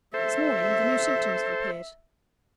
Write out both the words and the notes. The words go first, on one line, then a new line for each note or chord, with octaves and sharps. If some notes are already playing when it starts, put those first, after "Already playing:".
"This morning the new symptoms have appeared."
A4 C5 E5